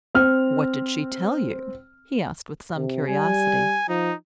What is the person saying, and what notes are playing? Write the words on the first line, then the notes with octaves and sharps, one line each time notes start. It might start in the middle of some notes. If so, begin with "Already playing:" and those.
"What did she tell you?" he asked with some curiosity.
C4 F6
C3
G3 G#5
F3 D#4